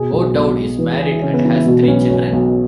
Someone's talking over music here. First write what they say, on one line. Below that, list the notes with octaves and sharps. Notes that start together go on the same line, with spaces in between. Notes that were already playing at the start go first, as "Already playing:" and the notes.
O'Dowd is married and has three children.
Already playing: B2 G#4
B1
B1
G#3
E3 B4
G#4
E3 G#4
E4
C#3 C#4
B3
E3 C#4
E4
B2 F#4
B3
B1 C#4
B1 C#4
B1